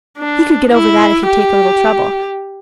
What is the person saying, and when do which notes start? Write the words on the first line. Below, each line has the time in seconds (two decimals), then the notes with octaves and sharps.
He could get over that if he'd take a little trouble.
0.18 D4
0.72 E4
1.27 G4